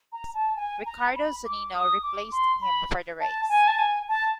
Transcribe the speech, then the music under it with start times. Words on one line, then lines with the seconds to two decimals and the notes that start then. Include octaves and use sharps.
Ricardo Zunino replaced him for the race.
0.13 A#5
0.34 A5
0.56 G#5
0.86 A#5
1.16 B5
1.45 D6
1.74 D#6
2.03 D6
2.32 C6
2.62 B5
3.21 A5
3.49 G#5
3.68 A5
3.79 G#5
4.08 A5